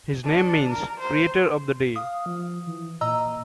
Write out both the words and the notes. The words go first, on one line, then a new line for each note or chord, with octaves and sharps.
His name means "creator of the day".
D4
A#4
C5
F5 D#6
F3
E3
A#2 D#5 A#5 E6